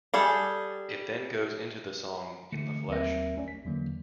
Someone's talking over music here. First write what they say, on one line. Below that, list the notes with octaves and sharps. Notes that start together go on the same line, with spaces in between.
It then goes into the song In the Flesh?
G3 G#4 A4
D3 E3 A3 C#7
D#2 F#3 C4 A#4 E5 A#6
A1 A3 C#4 D5
B6
E2 D3 E3 F#3 A#3